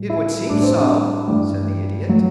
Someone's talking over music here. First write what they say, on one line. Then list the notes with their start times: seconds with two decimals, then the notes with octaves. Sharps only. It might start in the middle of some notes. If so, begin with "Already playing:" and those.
"It would seem so," said the Idiot.
Already playing: A2 G3
0.10 E4
0.49 A2 G3 D4
0.63 C4
0.76 D4
1.28 G2 E3 G3
2.09 F#3